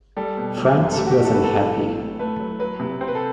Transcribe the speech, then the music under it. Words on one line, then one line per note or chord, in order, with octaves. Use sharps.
France was unhappy.
G3 A4
B2
F#3
F#2
A4
A3 G4
F#4
G4
E3
A4
C4 B4
A4
F#3
E3
A2
A3 B4
F#3
F#3 B4
C3
C4 C5
B4
A4